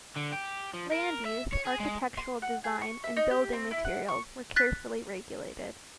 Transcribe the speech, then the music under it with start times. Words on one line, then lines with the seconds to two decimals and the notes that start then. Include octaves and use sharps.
Land use, architectural design and building materials were carefully regulated.
0.16 D3
0.33 G4
0.74 F3
0.92 A#4
1.25 E5
1.53 C#5
1.65 G#4
1.80 G#3
2.17 C6
2.42 F#5
2.64 G#4
2.81 C#6
3.04 E5
3.17 D#4
3.31 G4
3.53 C4
3.71 E4
3.85 F#5
4.08 C#6
4.56 F#6 A6 B6